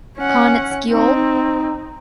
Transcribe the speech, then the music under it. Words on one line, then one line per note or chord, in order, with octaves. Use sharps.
Carnets Geol.
C#4 F#5
C4 D#4